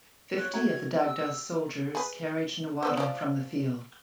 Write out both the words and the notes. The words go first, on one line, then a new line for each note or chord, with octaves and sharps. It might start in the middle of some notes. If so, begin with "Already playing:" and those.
Fifty of the Dagda's soldiers carried Nuada from the field.
F4 C#5 F#6
F#4 E5 A#5 G#6
G4 E6
G#4 B4
B3 B4 C5
F3 D5